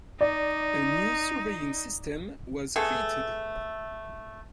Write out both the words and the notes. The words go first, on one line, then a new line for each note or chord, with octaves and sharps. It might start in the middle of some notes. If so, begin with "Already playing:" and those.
A new surveying system was created.
D#4 D5
A3 B3 G#4 A4